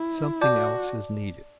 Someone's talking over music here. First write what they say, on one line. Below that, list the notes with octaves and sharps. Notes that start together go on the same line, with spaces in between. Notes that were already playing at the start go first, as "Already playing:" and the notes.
Something else is needed.
Already playing: E4
F#4 D5 A5 D6 G6